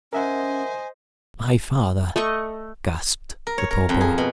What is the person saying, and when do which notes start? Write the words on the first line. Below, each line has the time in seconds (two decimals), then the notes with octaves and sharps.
"My father," gasped the poor boy.
0.13 C#4 A#4 C5 D#5 E5 F#5 G#5
2.16 A3 D#5 C#6
3.47 A#4
3.58 C#5
3.71 A#4
3.89 F2
4.01 G#4
4.18 B2